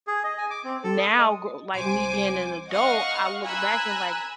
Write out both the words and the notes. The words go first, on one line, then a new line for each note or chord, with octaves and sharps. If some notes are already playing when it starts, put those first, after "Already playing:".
now, gr like me being an adult, I look back and like,
G#4
D#5
G#5
D6
C4
A4
D#6
G#3
C2 C5 G#5 D6
D#5 F5 F#5 C#6 F6
G#5 A#5 B5 E6 F#6 G#6